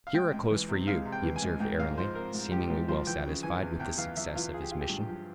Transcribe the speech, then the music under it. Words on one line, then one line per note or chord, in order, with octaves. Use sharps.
"Here are clothes for you," he observed airily, seeming well satisfied with the success of his mission.
F5
C#2 G5
C#2
E3
C3
G#3 F5
C3
G5
E3
G#5
C#2
G#2 G5
G#2 F5
F3 C5
C4 A#4
G#2
F3 G4
G#2
F3 C5
E3 G5
C#3
E3 G#5
E2
E2 G5
E3 F5
E3 E5
E3 F4
F4 G#4
G4
F4
G4
G2
F3